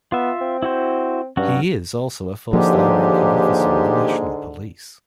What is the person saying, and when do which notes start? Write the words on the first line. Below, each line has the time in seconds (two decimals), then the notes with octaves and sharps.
He is also a four-star ranking officer in the National Police.
0.12 B3 F4 E5
0.41 C4
0.63 E4 F#4 C5
1.37 G2 F#3 C#4 F#4
2.53 D#2 G#2 D3 F3 A#3 G4